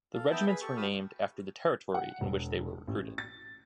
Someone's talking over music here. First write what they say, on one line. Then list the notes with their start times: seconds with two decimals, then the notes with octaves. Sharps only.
The regiments were named after the territory in which they were recruited.
0.14 A4 F5
0.31 B3 D#4 E5 G5 A5
0.47 G#4 B4 B5
0.61 G4 A4 C#6
0.77 F#4 G4 A5 B5 D#6 F6
1.94 F#5
2.21 E1
2.87 A1
3.18 A6